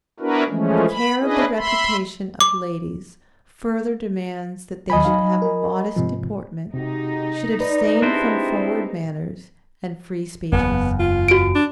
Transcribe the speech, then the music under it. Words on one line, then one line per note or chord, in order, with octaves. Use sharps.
The care of the reputation of ladies further demands that they should have a modest deportment; should abstain from forward manners, and free speeches.
B3 D4 E4 F#4 A#4 B4
E3 F3 G#3 A3 C#4
B5
C#4 D4 E4 G#4 B4 D#5
E5 B5 C6
D6
D#2 F#3 D#5 G#5 B5
F#3 D#4 F5
A#4
G#2 C3 F3
C3 G#3 D#4 F#4 G4
B4 D5
C4 D4 E4 G4 G#4 C5
F#1 E2 B3
F4
F#4 D7
D4